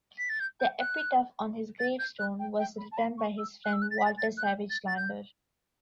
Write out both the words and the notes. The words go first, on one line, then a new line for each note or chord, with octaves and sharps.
The epitaph on his grave stone was written by his friend Walter Savage Landor.
B6
A6
G6
G6
F#6
A6
G6
F#6
G5
G5
B5
A5
B5
C#6
E6
F#6
E6
F#6
A6
B6
A6
A6
F#6
G6
A6
A6
G6